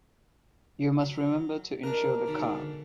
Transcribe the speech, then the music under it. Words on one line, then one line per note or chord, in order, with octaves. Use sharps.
You must remember to insure the car.
F#3
D4 A#4 D#5
B1 G#2 D3